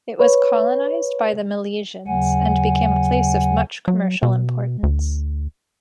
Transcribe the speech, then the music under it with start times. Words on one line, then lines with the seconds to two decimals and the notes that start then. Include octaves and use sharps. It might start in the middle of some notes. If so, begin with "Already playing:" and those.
It was colonized by the Milesians and became a place of much commercial importance.
0.19 B4 C#5
2.07 D#2 C#3 F#3 F#5 G#5
3.88 F#3
4.23 B2
4.83 D2